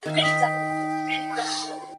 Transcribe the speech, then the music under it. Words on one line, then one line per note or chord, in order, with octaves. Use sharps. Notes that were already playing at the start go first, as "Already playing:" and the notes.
Two cars of Satyaki were going to be delivered on the day of Mahalaya.
D#3 E5 F5
D#4 G5 D#6 B6